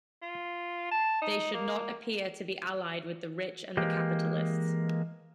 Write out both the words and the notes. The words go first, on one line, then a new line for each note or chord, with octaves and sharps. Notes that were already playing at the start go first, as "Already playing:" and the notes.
They should not appear "to be allied with the rich and the capitalists".
F4
A5
D#4
A#3
E3 G#3 A#3 G4